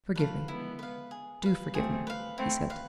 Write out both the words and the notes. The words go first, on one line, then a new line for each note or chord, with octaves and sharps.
"Forgive me--do forgive me," he said.
F3 A3 B4 F5
G#3 B3 E4
B4 F5
G#4
B4 F5
A3 C4 G#4
B4 F5
A3 C4 E4
B4 F5